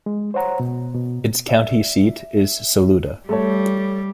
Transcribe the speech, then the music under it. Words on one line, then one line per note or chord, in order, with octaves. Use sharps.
Its county seat is Saluda.
G#3
C5 C#5 F#5 A#5
B2
B2
D5 E5
G3 A3 A4 C#5